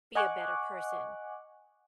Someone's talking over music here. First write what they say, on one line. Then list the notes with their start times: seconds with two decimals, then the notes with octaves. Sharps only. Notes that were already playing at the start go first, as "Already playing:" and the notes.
be a better person.
0.15 D#5 F#5 G#5 C#6 D6 F#6